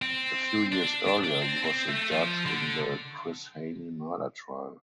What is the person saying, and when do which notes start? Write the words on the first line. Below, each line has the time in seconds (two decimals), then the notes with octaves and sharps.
A few years earlier he was the judge in the Chris Hani murder trial.
0.02 C4
0.72 D4
1.07 D4
1.24 D4
1.42 C4
1.65 C4
1.88 A3
2.11 F3
2.46 D3